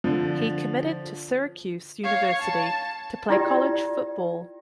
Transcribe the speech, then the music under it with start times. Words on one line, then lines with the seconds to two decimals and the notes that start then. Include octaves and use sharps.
He committed to Syracuse University to play college football.
0.04 D3 F3
2.04 C#5 F5
2.42 A5
3.30 E4 F4 G4 D5 G5